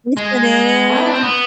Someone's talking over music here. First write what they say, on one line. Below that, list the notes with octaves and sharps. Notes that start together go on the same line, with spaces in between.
listen in?
G#3
E4
D4
C4
B3